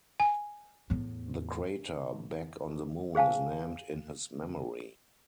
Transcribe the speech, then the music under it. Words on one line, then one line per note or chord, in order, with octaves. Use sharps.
The crater Back on the Moon is named in his memory.
G#5
E2 A2
G#4 C5 F5 G#5 A5